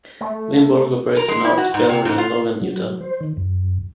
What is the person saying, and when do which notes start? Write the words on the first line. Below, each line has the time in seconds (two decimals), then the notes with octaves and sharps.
Winborg operates an art gallery in Logan, Utah.
0.21 A3
1.17 A#4
1.28 G#3
1.45 E4
1.58 F#4
1.74 G#2
1.89 C3
2.05 G#2
2.18 F4
2.62 F#3
3.00 C5
3.21 D#3
3.37 F#2